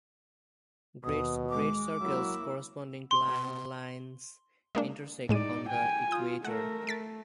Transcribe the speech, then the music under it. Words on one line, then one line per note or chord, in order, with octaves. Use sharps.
Great circles corresponding to parallel lines intersect on the equator.
D#2 B2 D#6
G#3 D6
F#3 A#3 E4
C6
G#3 A#3 D4
A2 G#3 D#4 D5 D#7
G5 G#5
F4 D#6 G6
A3 A#4 F#5
A3 A6 B6 D7